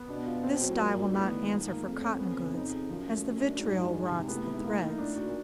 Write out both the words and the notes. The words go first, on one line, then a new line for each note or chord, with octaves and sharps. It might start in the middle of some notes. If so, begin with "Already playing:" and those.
This dye will not answer for cotton goods, as the vitriol rots the threads.
Already playing: B3
B2 D4
F4
C4
F#3
A2
A#2 F#3
G2
G#2
A2 B3
D#3
G#2 F3
A#3
F2 A3
C#4
B3
C#3
D#4
G#4
F#2 F3
A3
A3
D4
G#2 F#3
F#2
G#3
C3
A2 B3
E4
G#2
A2 A#3
D#4
A2 D4
F#4
A#2